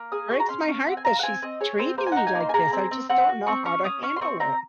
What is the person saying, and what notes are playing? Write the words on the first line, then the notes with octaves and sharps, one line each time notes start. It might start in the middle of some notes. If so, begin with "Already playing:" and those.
breaks my heart that she's treating me like this, I just don't know how to handle it.
Already playing: A#3
G#4 D#6
F#4 C#6
A#5
C#4 C6
C#4 C#6
C4 F#5
G#5
F4 A#5
F#5
C4 G#5
C4 D#5
G#4 C#5
C4 C5
A#3 C5
G#5
D#4 F#5
G#5
A#3
C6
G#5
G#4 A#5
C4
C4
C4 F#5
F#4
C4 C#6
C#4 C#6
C#4 D#6
C#4 C#6
C6
C4 C#6
C4 A#5